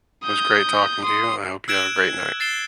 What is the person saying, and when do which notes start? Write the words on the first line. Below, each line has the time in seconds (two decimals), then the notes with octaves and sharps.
It was great talking to you, and I hope you have a great night.
0.24 D#6 G6
1.02 C6 D#6
1.68 E6 F#6 G#6 D7 E7
2.40 A6 C7 E7 G7